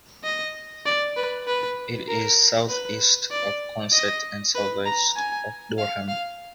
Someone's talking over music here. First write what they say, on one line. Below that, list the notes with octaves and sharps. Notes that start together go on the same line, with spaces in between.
It is southeast of Consett and southwest of Durham.
D#5
D5
B4
B4
A#4
B4
D5
D#5
B4
A#5
G#5
F5
F5